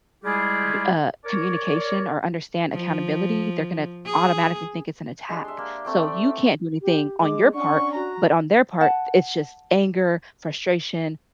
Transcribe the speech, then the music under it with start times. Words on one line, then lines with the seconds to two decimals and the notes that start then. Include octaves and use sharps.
b uh, communication or understand accountability, they're gonna automatically think it's an attack. So, you can't do anything on your part, but on their part it's just anger, frustration,
0.24 G3 G#3 E4 F4 G4 G#4
1.24 A#4 C#5 D5
2.73 F3
4.06 G#4
5.29 G#3 D4 G4
5.45 E5 C6
5.58 A#3
5.85 A3 C4 D6
6.03 D5
6.81 G4
7.20 G#3 D6
7.54 C#4 D4 F#5 C#6
7.94 F#4 A#5
8.81 F#5 A5